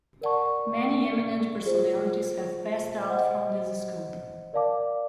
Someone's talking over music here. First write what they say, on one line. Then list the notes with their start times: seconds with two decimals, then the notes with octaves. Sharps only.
Many eminent personalities have passed out from this school.
0.21 A#4 D5 F#5 A5 C#6
1.66 F4 G#4 C5
3.09 C5 D#5 F#5
4.53 A#4 D5 F5 A5 D6